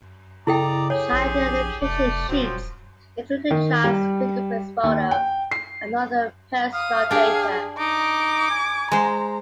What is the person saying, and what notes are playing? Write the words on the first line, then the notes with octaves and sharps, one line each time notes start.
Child identification sheets include the child's fingerprints, photo and other personal data.
C#3 E4 A4 D5 D#5 G5 A#5
G4 G#4 C#5
A#1
F1 A3 D5
D#1 F3 F#3 C4
D#3
G3
D#2
G5
C7
F5 D#6
D4 G4 G#4
D#4 D6
G#5
G#3 C5 A#5